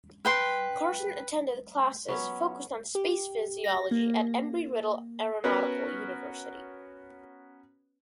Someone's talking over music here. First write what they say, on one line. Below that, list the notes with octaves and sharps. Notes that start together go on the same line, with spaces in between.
Carson attended classes focused on space physiology at Embry–Riddle Aeronautical University.
B4 G5 C6
F#3 B3 C#4
G4
A#6
A#3
B3 C#4 F#4 A#4 B4